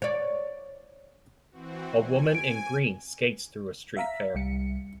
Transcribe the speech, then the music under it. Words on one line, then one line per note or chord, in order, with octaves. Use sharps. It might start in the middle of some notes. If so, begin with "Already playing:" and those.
A woman in green skates through a street fair.
C#5 D5
E3 C4 F#4
G#5
D7
E5 F5 A#5 B6
C2 G3 C#7